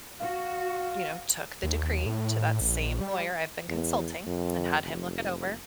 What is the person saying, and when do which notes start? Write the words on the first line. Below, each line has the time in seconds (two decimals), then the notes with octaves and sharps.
you know, took the decree to that same lawyer I've been consulting, and had him look it over,
0.21 F#4 F5
1.63 D#2
2.06 A2
2.61 A#1
3.01 G3
3.69 E2
4.26 F2
4.83 F1